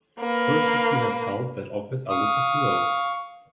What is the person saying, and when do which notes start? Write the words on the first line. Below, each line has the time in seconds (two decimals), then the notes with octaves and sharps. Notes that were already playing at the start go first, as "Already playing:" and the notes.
Persons who have held that office are listed below.
0.20 A#3 B4
2.10 F5 C#6 D#6